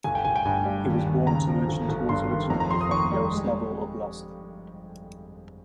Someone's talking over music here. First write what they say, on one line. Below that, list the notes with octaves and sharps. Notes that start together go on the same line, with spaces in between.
He was born to merchant who was originally from Yaroslavl Oblast.
G1 G#5
G5
G1 G#5
G5
G2 G#5
G3
D#2
D#2
C#3 A#5
F3
G1
G1
G2 C6
D#3
F2 A#5
A#5
F2 C6
D#6
D#3 C#6
G3
G#3